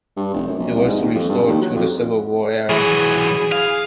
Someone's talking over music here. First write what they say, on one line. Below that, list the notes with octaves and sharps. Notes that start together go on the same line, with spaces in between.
It was restored to the Civil War era.
G2
F1
F#2
A#1
C2
G#2
D#2
F2
G2
D#2
F#3
F2
E3 F#3 G#4
F5